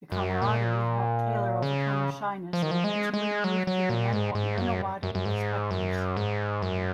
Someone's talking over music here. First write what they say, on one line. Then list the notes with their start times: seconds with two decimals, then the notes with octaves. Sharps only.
The camaraderie helped Taylor overcome her shyness, and eventually move to the Nunawading Spectres.
0.12 F#2
0.42 A#2
1.62 C#3
2.53 F3
2.62 D#3
2.71 F3
2.84 G#3
3.14 G#3
3.44 F#3
3.67 F#3
3.89 A#2
4.13 G#2
4.35 G#2
4.58 F#2
5.03 F#2
5.15 F#2
5.25 G#2
5.71 F#2
6.17 G#2
6.62 F#2